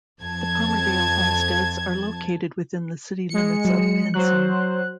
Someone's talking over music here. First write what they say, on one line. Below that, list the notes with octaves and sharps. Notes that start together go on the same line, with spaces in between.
The Palmerdale Homesteads are located within the city limits of Pinson.
F2 A5 G#6
G#3 C#7
F#3
F#3 C5 F#6